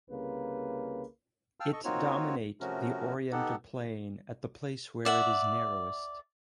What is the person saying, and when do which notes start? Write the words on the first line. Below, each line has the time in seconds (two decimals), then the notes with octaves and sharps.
It dominate the oriental plain at the place where it is narrowest.
0.11 C2 C#3 A#3 B4
1.60 F5 G5 A5 E6 F6
1.73 A4 D#5 C#6
1.84 A#3 C4 D#4 F4 F#4 C#5
2.61 C3 F3 A3 C#4 F#4 A#4
3.32 B3 D#4 G4 A4 F#5
5.05 D5 E5 F#5